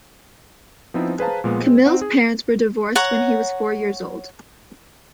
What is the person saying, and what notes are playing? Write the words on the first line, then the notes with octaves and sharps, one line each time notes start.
Camil's parents were divorced when he was four years old.
F3 B3 C4 D#4 E4
G#4 B4 C5 F5 A5 A#5
A#2 F3 G#3 B3
G#3 C4
C4 D#4 F#5
G#4
C#5 F#5 A#5